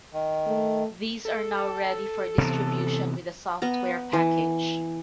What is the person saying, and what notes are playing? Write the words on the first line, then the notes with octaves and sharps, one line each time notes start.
These are now ready for distribution with the software package.
D#3
A3
A4
C3 E3 B3
B3 A#5
E3